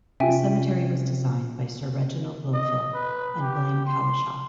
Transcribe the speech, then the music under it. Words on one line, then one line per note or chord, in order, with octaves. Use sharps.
The cemetery was designed by Sir Reginald Blomfield and William Cowlishaw.
C3 C#4 F4 E5 G5 G#5
D#5
B4
G4
C6